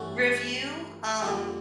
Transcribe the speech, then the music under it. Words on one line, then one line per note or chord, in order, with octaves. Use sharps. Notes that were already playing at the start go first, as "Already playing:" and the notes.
review, um,
Already playing: G2 E3 A3 C#4 F#4
F2 D3 G3 A#3